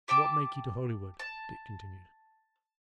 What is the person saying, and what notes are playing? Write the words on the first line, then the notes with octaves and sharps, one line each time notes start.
"And what make ye to Holywood?" Dick continued.
G4 G5 A5 D6
A5